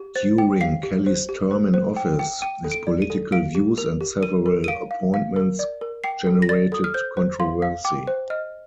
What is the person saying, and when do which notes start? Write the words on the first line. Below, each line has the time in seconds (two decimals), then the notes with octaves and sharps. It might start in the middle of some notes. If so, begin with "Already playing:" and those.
During Kelly's term in office, his political views and several appointments generated controversy.
Already playing: G4
0.16 C5 A6
0.38 G5
0.61 F5 C7
0.83 G4
1.06 C5
1.29 G4
1.51 C5
1.74 C5
1.96 G5
2.19 G5
2.42 G5 D#7
2.64 A4
2.72 D7
2.87 D5
3.02 D#7
3.10 A4
3.32 F5 D7
3.55 G4
3.78 A#4 F7
4.01 G4
4.23 A#4 D#7
4.46 A#4
4.64 D#7
4.68 F5 D7
4.91 F5
5.14 F5
5.36 A#4
5.59 D5
5.81 A#4
6.04 G5 C7
6.27 A4
6.42 A#6
6.49 D5 A6
6.72 A4 D#6
6.84 F6
6.94 C5 G6
7.17 C5
7.40 F5 C6
7.62 F5
7.85 G5 D6
8.07 C5
8.30 D#5 F6